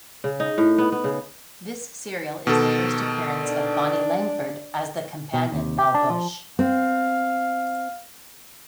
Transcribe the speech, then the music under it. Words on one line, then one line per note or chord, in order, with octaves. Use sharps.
This serial is the first appearance of Bonnie Langford as the companion Mel Bush.
C#3
D#4
A2
B3
B3
C#3
B2 D#3 A4
D4
B2
D#2
G4
D4
F3
C4 F5